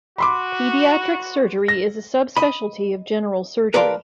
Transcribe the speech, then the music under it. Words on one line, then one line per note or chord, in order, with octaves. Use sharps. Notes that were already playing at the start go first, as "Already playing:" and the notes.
Pediatric surgery is a subspecialty of general surgery.
F#4 B5 C6 D6
A#6
D#5 B5
A#4 B4 D5 F5 A5 C6